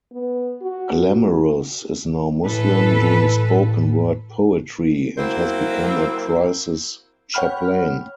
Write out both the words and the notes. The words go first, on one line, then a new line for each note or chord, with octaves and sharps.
Glamorous is now Muslim, doing spoken word poetry, and has become a Crisis Chaplain.
B3
F#4
A2 E3 A4 B4
F#3 A#3 C4 E4 C5
C#5 F#5 G5 B5 F6